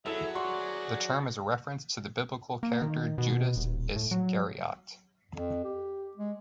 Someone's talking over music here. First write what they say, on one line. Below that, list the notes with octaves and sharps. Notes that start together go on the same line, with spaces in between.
The term is a reference to the biblical character Judas Iscariot.
F#3 E4 G#4 A4 E5 E7
F#4 G#4 D5 F#5 C6 C#6
A#3
D#3
B2
D#1
A2
F#3
F2
G4
G#3